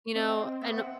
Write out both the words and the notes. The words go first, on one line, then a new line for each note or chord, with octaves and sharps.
you know, and
C4 D#5
B3 E5
C4 F#5